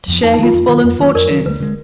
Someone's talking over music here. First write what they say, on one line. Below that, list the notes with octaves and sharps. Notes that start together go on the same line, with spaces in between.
"To share his fallen fortunes?"
F2 F3 B3
F2 D#4
D#4
D#3 F#3 F4
F2
D#3 F#3
F2
D#3 F#3
F2 A#4 D5
D#3 F#3
D2 B4
D3 G#3